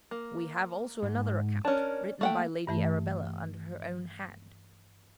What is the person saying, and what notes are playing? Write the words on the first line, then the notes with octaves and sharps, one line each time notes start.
We have also another account, written by Lady Arabella under her own hand.
A#3
G#2
C#4 D4 A#4 C#5 A5
A3 A#3 F#5 G5
G2 E3 A3